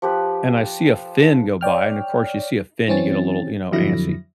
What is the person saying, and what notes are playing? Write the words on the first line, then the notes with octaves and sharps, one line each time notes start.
and I see a fin go by, and of course, you see a fin, you get a little, you know, antsy;
F3 G4 B4
C#5 D5 G5 F6
E3 C4 C#4 A6
F2 D3 F#3 E4 A#6